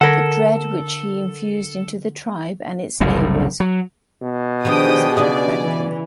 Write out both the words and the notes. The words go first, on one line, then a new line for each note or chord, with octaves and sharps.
The dread which he infused into the tribe and its neighbors was incredible.
D3 A4 A#4 F#5
F#1 C2 F#2 A2
F#3
B2
D#3 F3 B3 D4 G4 G#4 G5 D#6
C#3 B4 D5 D#5 G#5
E3